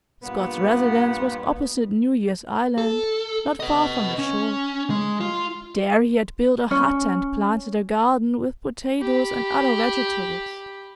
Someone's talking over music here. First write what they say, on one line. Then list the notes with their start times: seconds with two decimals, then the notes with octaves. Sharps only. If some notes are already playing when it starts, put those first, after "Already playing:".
Scott's residence was opposite New Year's Island not far from the shore; there he had built a hut and planted a garden with potatoes and other vegetables.
0.23 G2 A#2 B3
2.78 A4
3.60 B4 D#5
4.19 C#4
4.90 G#3
5.21 F4
6.71 C#4
9.02 G4 B5